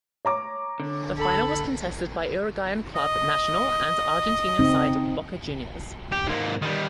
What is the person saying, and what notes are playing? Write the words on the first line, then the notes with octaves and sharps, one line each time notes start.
The final was contested by Uruguayan club Nacional and Argentine side Boca Juniors.
C#5 A#5 D6
D3
A4 B5
D#5
C#3 C4 D#4
G4
G#2 A#3
D#3 G3